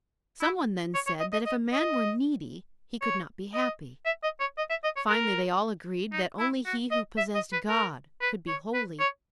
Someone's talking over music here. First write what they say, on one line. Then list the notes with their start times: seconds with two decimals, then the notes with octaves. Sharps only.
Someone then said that if a man were needy he could not be happy. Finally they all agreed that only he who possessed God could be wholly happy.
0.41 E4
0.94 C#5
1.07 C#5
1.20 D#5
1.32 D#5
1.46 D#5
1.72 D#5
3.02 C#5
3.54 D#5
4.05 E5
4.23 D#5
4.40 C#5
4.58 D#5
4.70 E5
4.84 D#5
4.97 C#5
5.09 A#4
6.13 D#4
6.39 E4
6.66 F#4
6.91 D#5
7.17 E5
7.35 D#5
7.52 B4
7.69 A#4
8.21 B4
8.48 C#5
8.74 B4
8.99 C#5